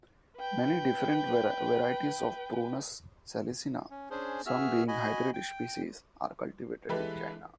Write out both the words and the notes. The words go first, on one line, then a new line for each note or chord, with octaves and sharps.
Many different varieties of "Prunus salicina", some being hybrid species, are cultivated in China.
B4 G5
C#4
C#4 D4 G#4 C5
B3 F#4 G#4 E5 E6 F6
F#4 D#5 G#5 B5
G5
E3 G#3 G4 A4 B4